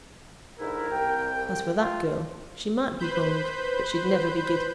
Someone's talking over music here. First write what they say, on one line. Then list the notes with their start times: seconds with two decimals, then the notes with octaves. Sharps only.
As for that girl, she might be bold, but she'd never be giddy.
0.60 G#2 D3 E4 A#4
0.90 C2 G5
1.79 F4
2.99 B4 C5 B5 G6